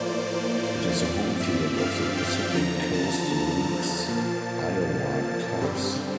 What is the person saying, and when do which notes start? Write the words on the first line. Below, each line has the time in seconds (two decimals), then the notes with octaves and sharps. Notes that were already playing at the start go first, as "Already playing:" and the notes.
It is the home field of the Pacific Coast League's Iowa Cubs.
Already playing: A2 F3 A#3 C5 D5
0.63 C5
1.02 G2 F3 C4 D5
1.40 E5
1.78 F5
2.17 G5
2.55 E2 D3 F3 A#5
2.93 A5
3.31 A5
4.08 A#2 F3 A#3
5.61 G2 D3 G3 C4